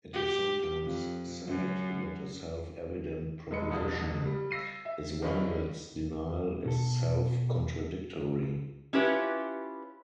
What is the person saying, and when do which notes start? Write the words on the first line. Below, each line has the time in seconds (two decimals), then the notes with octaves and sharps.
It is sometimes said that a self-evident proposition is one thats denial is self-contradictory.
0.13 G4
0.83 F2
1.47 F#2
3.51 E1 G#3 B4 C#7
3.70 E1 C2 F2 D4 D#6
4.25 G3
4.51 E6 A#6 C7 D#7
4.85 E5
5.22 G2 D3 D#3 C#4 D#4 E4
6.65 B2 A4
8.93 C#4 E4 F4 G4 B4 C#5